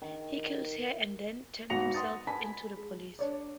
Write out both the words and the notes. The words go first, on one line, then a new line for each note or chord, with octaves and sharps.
He kills her and then turns himself in to the police.
D#3
G#1 B2 F#5 A#6 C#7 F7
F#5 C6 D#6 A6
G#5 A5 B5 B6
G#3
D4 C#5 D5